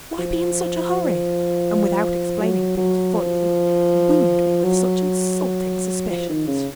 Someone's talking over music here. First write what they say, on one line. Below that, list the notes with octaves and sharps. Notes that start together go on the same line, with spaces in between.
Why be in such a hurry, and without explaining things fully, wound me with such insulting suspicions?
F3
F#3
F#3
F3
F#3
F3
D#3
C#3